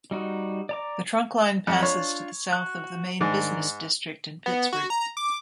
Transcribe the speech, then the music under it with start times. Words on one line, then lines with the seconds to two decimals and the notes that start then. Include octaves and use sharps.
The trunkline passes to the south of the main business district in Pittsford.
0.11 G3 D#4 F#4
0.69 D5 A#5 D6
1.67 F2
1.83 D4 F4 C#5
2.53 F#4 F#6
3.21 G#2 D#3 D4
4.46 B3
4.72 F#4
4.90 A#5
5.17 D6